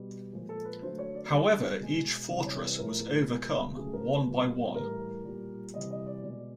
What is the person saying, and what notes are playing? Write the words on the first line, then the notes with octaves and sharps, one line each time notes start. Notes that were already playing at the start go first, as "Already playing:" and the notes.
However, each fortress was overcome one by one.
Already playing: B2 G3
A#2 F3 G#3
A4
B4
D3 F#3 A3 C5
C#5
D5
D3 G3 D5
B2 G#3
C3 E3 G3 D5
C#5
B4
A2 F3 A3 A#4
B2 G#3
C#3 F#3 A3 G#4
A#4
B4
A#2 G3
A2 E3 G3 A#4
A#2 G3
C3 E3 G3 D#5
D#5
D5
B2 G#3 D5